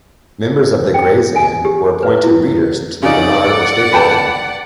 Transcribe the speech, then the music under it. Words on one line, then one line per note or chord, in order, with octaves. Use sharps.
Members of the Gray's Inn were appointed readers to the Barnard or Staple Inn.
G5
G#5
G4
B4
E4
C#3 D#4 D5 F#5
B4 G5 A5